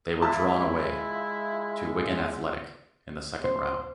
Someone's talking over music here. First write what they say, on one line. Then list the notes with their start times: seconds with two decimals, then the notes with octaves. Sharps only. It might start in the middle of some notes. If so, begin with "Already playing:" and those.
They were then drawn away to Wigan Athletic in the second round.
0.22 G#3 E4 F4 E5 A5
3.44 C5